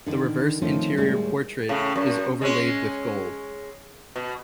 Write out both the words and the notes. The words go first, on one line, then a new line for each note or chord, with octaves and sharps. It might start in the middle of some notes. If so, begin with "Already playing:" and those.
The reverse interior portrait is overlaid with gold.
D3 D#3
D#3 F3 A3 C4 C#4
D#2 A2 G3 G#3
A2 C#3
F#2
G#3 C#4
B2